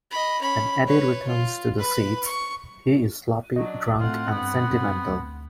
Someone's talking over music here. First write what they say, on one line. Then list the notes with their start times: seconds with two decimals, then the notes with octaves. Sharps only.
When Eddie returns to the seats, he is sloppy drunk and sentimental.
0.11 D#5 B5
0.41 C#4 B5
0.87 B4 C#5
1.27 F4
1.79 B4 B5
2.24 C#6
3.56 F#3 D4 D#5
3.99 A2 A3 C4 F4 F#5
4.31 G2 B3
4.70 F#2
5.06 D2